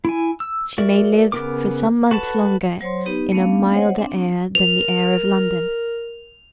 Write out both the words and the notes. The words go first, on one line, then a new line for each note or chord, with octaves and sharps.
She may live for some months longer in a milder air than the air of London.
E4 G#5
E6
F#4 A#4 D5 E5
C#3 B3 C#4 A#4 D6
F#4 A4 B4 A5
F#3 C5 C#5 C6
B3 D#4 G4 B4
A3 B3 C#4 D4 F5
C5 C#5 D#5 F#5
C4 D4
A#4 F7